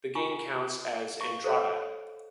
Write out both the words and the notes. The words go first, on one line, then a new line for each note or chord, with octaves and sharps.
The game counts as "Entrada".
F4 G#5 C#6
F5 C#6
A4 C5 C#5 F5